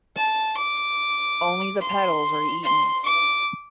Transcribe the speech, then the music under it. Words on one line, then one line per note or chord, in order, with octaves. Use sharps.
Only the petals are eaten.
A5
D6
C6
C6
D6